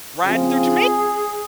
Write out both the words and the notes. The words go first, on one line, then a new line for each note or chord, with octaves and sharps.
riding through Jamai
C#3 F3 C4 F4 G#4